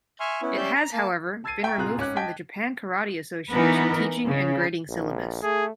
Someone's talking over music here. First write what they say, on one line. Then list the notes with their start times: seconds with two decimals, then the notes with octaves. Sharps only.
It has, however, been removed from the Japan Karate Association teaching and grading syllabus.
0.20 E5 G#5 C6 C#6 F6
0.42 B3 C#4 E4
0.57 C#4 G4 D5 E5 G6
0.75 A#5
0.92 A#3 A5
1.44 A5 E6 G#6 A6 C7 D#7
1.63 E5 G5 G#5 A#5 C#6
1.77 A1 C3 F4 G#4 A#5 F#6
1.98 G#1 C#4 D6 F#6
2.16 D#5 G5 A5 G#6 B6
3.50 E3 B3 D#4 A#4 B4
4.25 C#3
4.89 A#1
5.43 A3 G#4